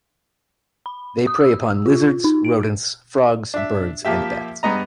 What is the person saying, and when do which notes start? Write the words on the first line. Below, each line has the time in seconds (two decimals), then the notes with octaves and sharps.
They prey upon lizards, rodents, frogs, birds, and bats.
0.86 B5
1.27 D#6
1.41 E6
1.86 F4
2.24 D#4
2.45 D7
3.54 D4 E5
4.05 F3 A#3 G4 E5
4.63 G2 G3 B3 D#5 A#5